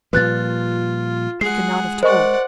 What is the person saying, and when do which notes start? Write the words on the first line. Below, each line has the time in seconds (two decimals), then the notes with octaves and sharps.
He could not have told.
0.13 A#2 F3 G3 F4 B4 F#6 A6
1.41 G#3 G#4 F#5 C7
2.03 A#4 C5 D5 D#5 F#5 C#6